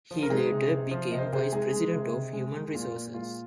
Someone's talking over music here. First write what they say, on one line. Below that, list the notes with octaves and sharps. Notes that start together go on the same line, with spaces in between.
He later became vice president of human resources.
F3
A#4
G#3 D#4 G#4
C3
C3
F3
C3 D#5
C5
A#4
C3 G#4 C5
G#3 D#4 G#4
G#3
C3
C3
G#3
G#3
A#2 F4
A#2
G#3 F4